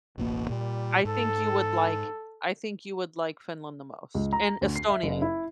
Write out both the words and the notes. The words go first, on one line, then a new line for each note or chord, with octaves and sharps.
I think you would like I think you would like Finland the most, and Estonia e
E1 A1 B2 A#3
A#2 G3
G#2 A4
C#2
A#5
D2
C7
E5
F#1
E4